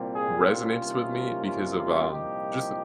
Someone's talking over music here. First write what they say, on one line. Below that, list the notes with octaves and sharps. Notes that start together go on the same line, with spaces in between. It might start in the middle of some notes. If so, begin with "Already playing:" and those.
resonates with me because of, um, just, uh
Already playing: C2 A#2 G3 C4
F4 G#4
C#4 F4
C2 C3 D#3 A#3
C#4 F4
C#4 F4
C2 A#2 F3 D#4 G4